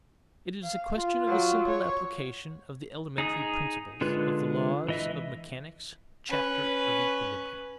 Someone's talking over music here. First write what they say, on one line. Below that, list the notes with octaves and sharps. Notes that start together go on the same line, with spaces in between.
It is a question of a simple application of the elementary principles of the laws of mechanics, chapter of equilibrium.
F5
F4
F#3
C#5
D#4 G#4 D#6
D3 G#3 F4 B4
E3 D#5 E5
C#4 B4